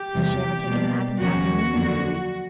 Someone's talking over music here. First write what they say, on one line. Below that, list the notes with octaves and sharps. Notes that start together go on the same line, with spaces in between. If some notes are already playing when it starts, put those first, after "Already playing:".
"Does she ever take a nap in the afternoon?" he queried.
Already playing: G4
E2 C3 E3 G3
B2 G3 A#3 D4
D#2 C#3 F3 A#3 C#4 F#4
F2 D3 F#3 A#3 D4